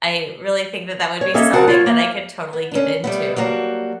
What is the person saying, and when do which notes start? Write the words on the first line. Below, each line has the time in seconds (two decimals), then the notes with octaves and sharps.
I really think that that would be something that I could totally get into.
1.21 C#5
1.34 A#3 C#4 A4 D#5 E5
1.53 C#3 C4 F#4 A#4 F#5 A5
1.68 F4 C#5
1.86 A#3
2.53 B3
2.72 C#4 D4
3.04 G3 A3 B3
3.36 F#3 G3 A#3 F#4 A5